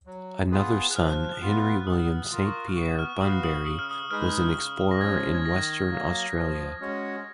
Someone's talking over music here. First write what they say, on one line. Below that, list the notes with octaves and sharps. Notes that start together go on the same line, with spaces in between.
Another son Henry William Saint Pierre Bunbury was an explorer in Western Australia.
F#3
B3 F4 G#4 B4
F#6
F3 F6
B3 F4 B4
B3 D#6
F4 A#4
C#6
B3 C#6
F6
F#4 B4 F5 D#6
D#6
C#3 D#6
F6
D#6
G#3 D#4 G#4 B4 F6
C#3
A#6
F3 G#3 C#4 G#6
G#6
D#3 A#6
F#3 A#3
F3
G#3 C#4 F#4 C#5